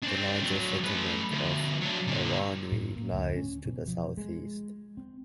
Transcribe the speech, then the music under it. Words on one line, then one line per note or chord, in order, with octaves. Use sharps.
The larger settlement of Awanui lies to the southeast.
C4 D4
F#3 D4
A3 B4
D2 B2
F#3 D4
A#2 D3
A2
A#3
D2
C#4
B2
F3
G#3
C4